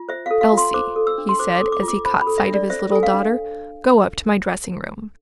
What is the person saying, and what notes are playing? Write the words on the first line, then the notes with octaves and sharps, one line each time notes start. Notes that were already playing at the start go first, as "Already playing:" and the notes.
"Elsie," he said, as he caught sight of his little daughter, "go up to my dressing-room."
Already playing: F4
C5 E5
A4 F5
F5
F4 C6
C5 D6
A4
E6
D4
C6
C5 D6
A4 D6
D6
F4
D6
C5 B5
B5
A4
E5
D4
D5
C5 E5
A4 G#5
F5
D4